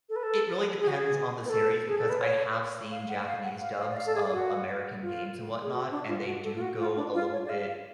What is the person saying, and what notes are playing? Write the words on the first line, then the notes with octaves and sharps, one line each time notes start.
It really depends on the series because I have seen Japanese dubs of American games and whatnot, and they do go a little bit-
A4
B4
A4
G#4
F#4
G#4
B4
A4
G#4
A4
B4
C#5
F5
F#5
F5
F#5
F5
F5
D5
F5
A4
G#4
F#4
F4
G#4
F#4
D4
F4
F#4
A4
F4
F#4
F4
D4
F4
C#5
D5
F5
F5